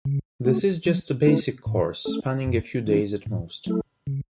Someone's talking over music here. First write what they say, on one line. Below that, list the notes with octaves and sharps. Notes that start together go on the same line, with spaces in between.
This is just a basic course spanning a few days at most.
C#3
A3 F#4
F#3
A3 C#4 E4 B4
A2
A3 C#4 A4
F#2
E3 C#4 E4
A2
F#3 A3 E4 A4
C#3